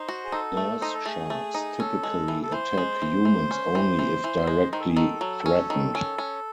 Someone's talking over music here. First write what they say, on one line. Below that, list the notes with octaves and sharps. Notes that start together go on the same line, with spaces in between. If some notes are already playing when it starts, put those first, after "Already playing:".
Nurse sharks typically attack humans only if directly threatened.
Already playing: D#4 C5
F#4
G#4
D#4 A4
A3
D#4 C5
A4
A3 G#4
A3
D#4
C#4 A4
G#3
E3
A4
E3 C5
G#3
E3
E3
C#4
E3
E3
E3
G#3
D#3 C5
A4
G#4
D#3 A4
F#3
C#4
D#3
C#4
C#4